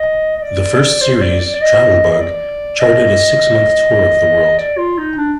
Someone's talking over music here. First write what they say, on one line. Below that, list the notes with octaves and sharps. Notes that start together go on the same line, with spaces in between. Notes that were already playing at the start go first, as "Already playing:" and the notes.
The first series, "Travel Bug", charted a six-month tour of the world.
Already playing: D#5
D#5
D5
C5
C5
D5
D5
D5
D#5
D#5
D5
D#5
D5
F4
D#4
D4